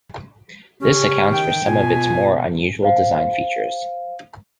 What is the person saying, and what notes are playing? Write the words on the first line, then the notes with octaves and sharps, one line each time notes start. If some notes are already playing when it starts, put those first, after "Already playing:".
This accounts for some of its more unusual design features.
C#3 C#4 G4
D#3 G5
B2 F4 G#5
C5 F5